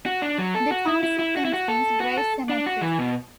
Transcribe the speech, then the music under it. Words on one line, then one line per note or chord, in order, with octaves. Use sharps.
The township contains Grace Cemetery.
F#4
D4
F#3
A4
F#4
E4
E4
E4
F#4
E4
F#4
A4
F#4
A4
D4
F#4
E3
B2